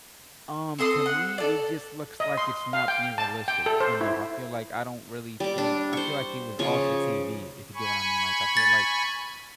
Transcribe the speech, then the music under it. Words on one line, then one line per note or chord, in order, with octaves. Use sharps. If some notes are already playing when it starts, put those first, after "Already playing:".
Um, to me, it just looks like it's not being realistic enough. I feel like I don't really think I feel like it was also TV if you get what I mean, like I feel like
C4 A4 C6 D#6
F#5
A4 D5
D#5
C6
F5
G5
A5
G5
A4
C5
E4
G3 D6
D4
C5 C#6
C#3 F3 C#6
G#5 B5 C#6
A6